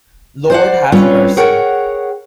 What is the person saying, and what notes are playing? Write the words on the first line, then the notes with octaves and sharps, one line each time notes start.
Lord Have Mercy!
C5 D5 F#5
G3 C4 C#4 F4 B4 C#5
G#4 A#4 C#5 F#5 G5